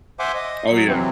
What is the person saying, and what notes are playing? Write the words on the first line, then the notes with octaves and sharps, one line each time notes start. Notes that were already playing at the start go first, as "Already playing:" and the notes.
Oh yeah.
C5 E5 F#5 G#5 C6 D6
D#5
F#3
C3 E3 F#3 C4